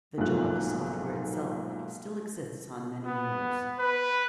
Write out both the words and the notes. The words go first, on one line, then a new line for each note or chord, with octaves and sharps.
The Java software itself still exists on many mirrors.
B1 G#2 F3 A3 A#3 F#6
B3
B4